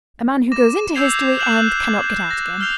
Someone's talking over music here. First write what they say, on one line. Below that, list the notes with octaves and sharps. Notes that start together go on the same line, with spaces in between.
A man who goes into history and cannot get out again.
D6 A#6 E7
E6 G6 G#6 C7 F7
F#6 G6 C7 E7 F#7
G6
A#6
F6 G6 C7 F7 G7